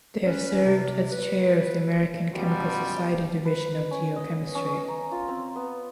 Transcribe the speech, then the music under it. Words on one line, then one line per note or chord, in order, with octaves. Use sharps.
They have served as Chair of the American Chemical Society Division of Geochemistry.
C#4 B4
C3
B4
F#2 B2 F3 G3
B4
C#4
D#5
B3
C#4
D#5
A#5
F4
C4
B3